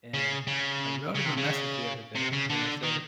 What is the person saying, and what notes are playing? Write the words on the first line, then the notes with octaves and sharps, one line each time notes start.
and I wrote him a message the other day, and I said,
C#3
C#3
C#3
C3
C#3
C3
C#3
D3
D#3